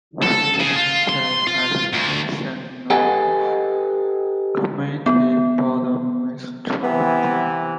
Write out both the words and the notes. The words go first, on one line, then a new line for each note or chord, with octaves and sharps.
He is interred at National Cemetery Bourne, Massachusetts.
A4
C#3
F4
C6
F4
D2
G4 A4 B4 D#5 F#5 G#5
B3
C3 E3 B3